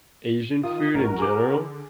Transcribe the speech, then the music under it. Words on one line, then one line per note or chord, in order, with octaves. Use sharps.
Asian food in general.
D#3 F4 D#6
A1 F#4 A#4
G#4 D6
D3